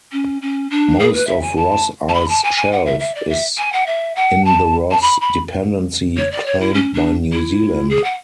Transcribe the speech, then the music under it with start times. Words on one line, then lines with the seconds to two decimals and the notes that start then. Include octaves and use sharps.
Most of Ross Ice Shelf is in the Ross Dependency claimed by New Zealand.
0.12 C#4
0.41 C#4
0.70 D4
0.99 G#4
1.13 B4
1.27 E5
1.41 G#5
1.56 A5
2.08 A5
2.14 B5
2.28 A5
2.43 G#5
2.56 G#5
2.72 F#5
2.85 E5
2.99 E5
3.14 D5
3.29 E5
3.57 G#5
3.72 F#5
3.86 E5
4.15 F#5
4.44 A5
4.91 A5
5.01 B5
5.20 B5
6.17 C#5
6.31 D5
6.45 C#5
6.60 E4
6.74 C#4
6.93 D4
7.32 E4
7.89 G#4
8.03 F#5